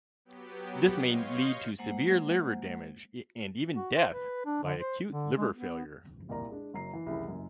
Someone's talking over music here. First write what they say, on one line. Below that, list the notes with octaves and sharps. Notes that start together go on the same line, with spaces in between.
This may lead to severe liver damage and even death by acute liver failure.
F#3 B3 G4
C#5 D#5 F5 C6 C#6 G6
G#3 A#3 C5 F#5
F#4
C5
B4
D4
D3
C5
D3
G#3
B3
C2 A#2 A#4 D5 A#5
G#3 D4
F#1 F#3 A#5 C7
E3
F1 C2 C#3 E3 E4
F#1 F#2